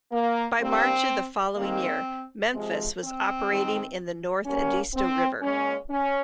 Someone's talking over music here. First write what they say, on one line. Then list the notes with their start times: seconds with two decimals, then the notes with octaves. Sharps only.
By March of the following year, "Memphis" was operating in the North Edisto River.
0.12 A#3
0.60 G2 G3 A#3 C4
1.56 G#2 D#3 G3 A#3 C4
2.53 C3 F3 G#3
3.02 C4
3.50 G#2 D#3 G#3
4.46 A#2 G3 A#3 C#4
4.94 C4
5.42 A#2 G#3 C#4
5.90 C#4